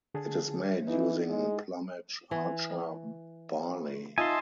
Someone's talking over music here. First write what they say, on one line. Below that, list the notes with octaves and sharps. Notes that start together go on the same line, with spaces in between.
It is made using Plumage Archer barley.
D3 G#4 A5
E3 D#4 E4
G#3
E3
D#4 F4 D#5 E5 G#5 A5 C6